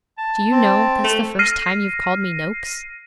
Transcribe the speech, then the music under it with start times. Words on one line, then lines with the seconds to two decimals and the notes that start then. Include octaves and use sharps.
'Do you know, that's the first time you've called me "Noakes"?'
0.18 A5
0.51 C4
1.04 A3
1.39 F6 A#6 C7 D#7